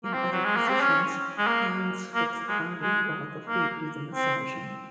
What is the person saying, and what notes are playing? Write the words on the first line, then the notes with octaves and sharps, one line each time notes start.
In other positions, hands fix the body, while the feet do the massaging.
A#3
C4
F#3
G#3
A#3
C4
C#4
G#3
A#3
A#3
G#3
G#3
A#3
C4